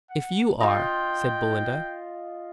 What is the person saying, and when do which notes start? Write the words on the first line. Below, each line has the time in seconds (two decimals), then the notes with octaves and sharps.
"If YOU are," said Belinda.
0.10 F#5
0.60 F4 D#5 G5